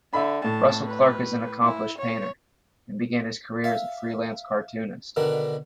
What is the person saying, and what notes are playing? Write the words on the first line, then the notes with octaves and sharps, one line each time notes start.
Russell-Clarke is an accomplished painter, and began his career as a freelance cartoonist.
D3 E5 B5
A2 A5
B4
E4
C#5
E5 F5
B2 D3 D#3 B3 D4 A#4